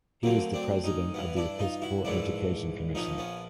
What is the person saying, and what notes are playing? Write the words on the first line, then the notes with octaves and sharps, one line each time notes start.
He was the President of the Episcopal Education Commission.
D2 D3 F#3 A#3 C4
C4 D4
C#4 D#4
G2 E3 B3
D4 E4
D#4 F4
E4 F#4
A#1 G#2 E3 D4 E4
A#1 A#2 F3 C#4 D#4
B3 C#4